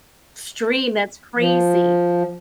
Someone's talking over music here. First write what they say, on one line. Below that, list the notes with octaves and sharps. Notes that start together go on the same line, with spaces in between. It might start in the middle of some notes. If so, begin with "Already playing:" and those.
stream, that's crazy.
F3